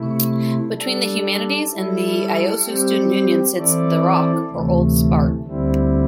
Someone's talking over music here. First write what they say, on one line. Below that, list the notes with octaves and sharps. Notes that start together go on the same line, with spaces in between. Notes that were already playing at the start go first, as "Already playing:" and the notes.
Between the Humanities and the Iosue Student Union sits The Rock or Old Spart.
Already playing: C3 A3 E4
G3 D4 A4
G3 E4 A4
G3 C4 G4
E3 C4 E4 A4 D5
D2 C3 E3 A3
D2 D3 G3 C4 E4